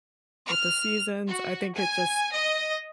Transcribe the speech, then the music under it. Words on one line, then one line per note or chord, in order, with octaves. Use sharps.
with the seasons. I think it just
F6
F#4
G#5
D#5